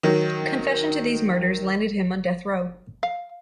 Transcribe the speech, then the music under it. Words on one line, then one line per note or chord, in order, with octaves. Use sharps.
Confession to these murders landed him on death row.
D#3 F#3
F5